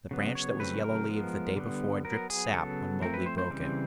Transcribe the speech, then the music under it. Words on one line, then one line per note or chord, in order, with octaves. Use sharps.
The branch that was yellow-leaved the day before dripped sap when Mowgli broke it.
C#3 F#3 B3
C#5
C#3 F#3 A3 C4 B4
A#4
F3 G#3 B3
D3 G3 B3
F#3 B3 A#4
G#4
C#3 F#3 B3 A4
F3 A3 C4 A#4
B4
C5
C5
C#3 E3 G3 C4